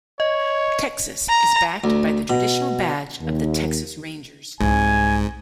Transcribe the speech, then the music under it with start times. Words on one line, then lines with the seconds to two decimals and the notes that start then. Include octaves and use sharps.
"Texas" is backed by the traditional badge of the Texas Rangers.
0.20 C#5 D#5
1.29 A#5
1.84 D2
2.30 B2
3.21 D#2
4.61 C2 G#2 G#3 G#5